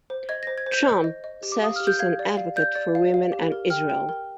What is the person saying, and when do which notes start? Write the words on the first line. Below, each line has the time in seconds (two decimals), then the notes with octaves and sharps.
Trump says she is an advocate for women and Israel.
0.10 C5
0.29 D#5 G#6
0.43 A#6
0.47 C5
0.58 G#6
0.66 C5
0.72 G6
0.86 D#5
1.04 D#5
1.24 D#5
1.43 G4
1.52 D6
1.62 F5 D#6
1.76 G4 F6
1.87 G6
1.99 F5 G#6
2.19 D5
2.37 F5
2.56 D5 G6
2.75 D5
2.95 F5
3.14 F5
3.32 G4
3.52 A#4
3.70 G5 F6
3.90 G5
4.09 A#4